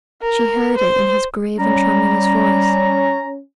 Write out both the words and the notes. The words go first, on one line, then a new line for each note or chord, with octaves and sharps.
She heard it in his grave and tremulous voice.
A#4
C5
G3 C#4 A#5